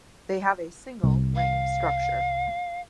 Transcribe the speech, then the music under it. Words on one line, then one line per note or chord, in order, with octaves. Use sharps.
They have a single ring structure.
C2
F5